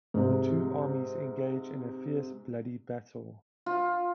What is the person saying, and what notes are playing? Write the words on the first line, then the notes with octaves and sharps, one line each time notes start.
The two armies engage in a fierce, bloody battle.
G#2 C3
F4